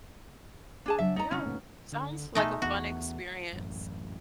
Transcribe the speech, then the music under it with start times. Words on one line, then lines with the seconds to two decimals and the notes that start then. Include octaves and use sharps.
Yeah. Sounds like a fun experience.
0.86 D4 G#4 A5
0.99 C#3 F#3 D4 E5
1.16 D#4 D5 D#5 A#5
1.31 C#3 C4 C#4 D#4 E4
1.44 D2 A#2 B3
1.92 D3
2.35 B2 G#3 A3 D#4
2.62 E2 B3 F#4
3.53 A1 F#2